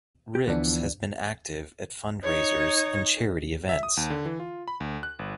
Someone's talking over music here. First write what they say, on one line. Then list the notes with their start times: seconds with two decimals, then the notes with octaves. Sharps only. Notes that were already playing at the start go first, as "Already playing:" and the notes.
Ricks has been active at fundraisers and charity events.
0.35 G4
0.48 D2 E3 F3 B3 D4
2.23 D#4 C#5
3.69 E5
3.83 D#6
3.97 D#2
4.10 D3
4.26 E3
4.40 F4
4.68 B5
4.80 D2
5.03 F#6
5.19 G1